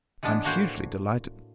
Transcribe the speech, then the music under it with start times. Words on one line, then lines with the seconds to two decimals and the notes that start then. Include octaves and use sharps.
I am hugely delighted.
0.23 E3 G#3 B3 D4
0.44 A2 A#3 F#4 C5 G5 G#5